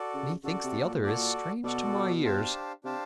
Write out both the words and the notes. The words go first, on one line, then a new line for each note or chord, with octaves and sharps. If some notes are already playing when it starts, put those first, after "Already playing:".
Methinks the other is strange to my ears.
Already playing: F#4 A4 D5
C#3
C#3 F#4 A4 D5
C3
A#2
F#4 A4 D5
B2 F#4 A4 D5
D4 G4 C5 F5 A5
C3 D4 G4 C5 F5 A5